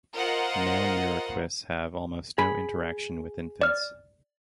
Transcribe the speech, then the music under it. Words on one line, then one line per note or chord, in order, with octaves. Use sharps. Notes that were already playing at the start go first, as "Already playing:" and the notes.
Male muriquis have almost no interaction with infants.
F4 A#4 C5 D#5 F#5
G#4 B5
D5 F6